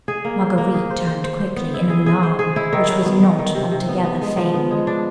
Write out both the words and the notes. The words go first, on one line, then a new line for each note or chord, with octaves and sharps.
Marguerite turned quickly, in alarm, which was not altogether feigned.
G#4
A#3
C5
A#3
G#4
C5
C5
C5
C5
B3
E4
G#4
G#4
C5
G#4
E4
D#3
F#3
B3
D#3
D#3
C3
C3
B3
B3
G#3
F3
B3
G#3
D4